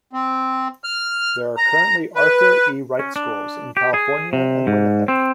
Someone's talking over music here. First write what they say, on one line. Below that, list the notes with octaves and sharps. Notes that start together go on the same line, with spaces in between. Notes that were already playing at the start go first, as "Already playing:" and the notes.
There are currently Arthur E. Wright schools in California and Winnipeg.
C4
F6
A#5
B4
C#4
D4
G4
G#4
C3
G#2
C4